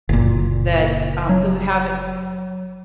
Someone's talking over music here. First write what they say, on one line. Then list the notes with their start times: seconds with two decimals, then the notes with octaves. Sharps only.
that um, does it have
0.09 F#1 A#2
1.29 F#3